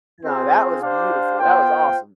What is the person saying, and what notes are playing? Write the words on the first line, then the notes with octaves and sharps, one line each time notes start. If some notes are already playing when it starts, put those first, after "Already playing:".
No, that was beautiful, that was awesome.
C4 F4 G#4 C5
D4 G4 C5 F5
B3 F4 C5 G5